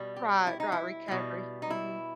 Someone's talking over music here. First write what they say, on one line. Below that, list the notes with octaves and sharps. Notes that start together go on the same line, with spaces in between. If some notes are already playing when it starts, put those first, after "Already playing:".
Right, right, recovery. Mhm.
Already playing: B2 G3
G4
E4
D#4
E4
B2 G3
D#4
E4